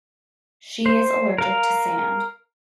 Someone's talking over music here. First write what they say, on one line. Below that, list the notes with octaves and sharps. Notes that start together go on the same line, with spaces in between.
She is allergic to sand.
C5
A#4 F5